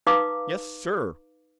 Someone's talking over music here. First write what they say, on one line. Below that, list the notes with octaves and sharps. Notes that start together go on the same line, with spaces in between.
"Yes, sir!"
D#4 B4 F5 A#5 D6 D#6